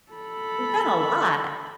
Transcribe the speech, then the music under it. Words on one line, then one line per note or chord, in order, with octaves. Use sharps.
You've done a lot.
A4 B5